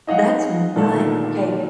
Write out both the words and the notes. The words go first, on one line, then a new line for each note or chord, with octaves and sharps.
That's nuts, okay,
D#4 D#5 F5 F#5
A#2 D3 D#3 G#3 A4